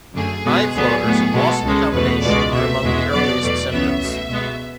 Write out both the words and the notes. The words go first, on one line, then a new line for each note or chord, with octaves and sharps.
Eye floaters and loss of accommodation are among the earliest symptoms.
F#2 D3 A3 G#4
B2 G#3 B3
D2 D3 F#3 B3
A2 F#3 B3
B2 G#3 B3 A4
C#2 C#3 G#3
E2 B2 A3 B4
C#2 B2 G#3 D5
B2 A3 E5
E2 B2 G#3
B2 F#3 B3 D5
E2 B2 A3
C#2 C#3 E3 B3 E5
B2 A3
B2 G#3 B3